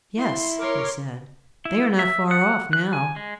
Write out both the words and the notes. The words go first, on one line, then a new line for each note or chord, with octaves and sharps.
'Yes,' he said, 'they are not far off now.'
E4 C6
A#4 C#5 C6 D6
E4
E5
F#5
F#6
G#5
G#3